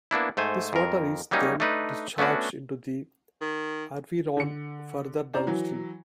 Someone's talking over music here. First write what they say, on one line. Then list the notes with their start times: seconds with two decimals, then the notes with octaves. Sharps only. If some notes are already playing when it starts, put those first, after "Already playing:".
This water is then discharged into the Arveyron further downstream.
0.11 A#3 B3 D4 E4
0.37 G#2 A3 C5 G#5
0.73 F2 A#4
1.31 F#3 G3 A#3 C#4 D#4
1.60 A3 D4 D#4 B4
2.18 A3 B3 C#4 D4 F#4
3.41 D#3
4.37 D3 C#7
5.34 C#4 C5 D5 A#5
5.47 E3 F#3